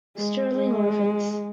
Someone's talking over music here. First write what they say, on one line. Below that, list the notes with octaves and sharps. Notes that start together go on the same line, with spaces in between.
Sterling Orphans.
G#3
G#3